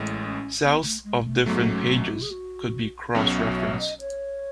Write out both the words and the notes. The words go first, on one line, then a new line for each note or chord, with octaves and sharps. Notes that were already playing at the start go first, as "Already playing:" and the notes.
Cells of different pages could be cross-referenced.
Already playing: A1 A2 G#3
C#4
B3
A3
G#3
A3
G#2 F#3 A3 B3
C#4
C#4
E4
G#4
F#4
B1 B2 F#3 C#4 F#4 G#4
E5
E5
D#5
C#5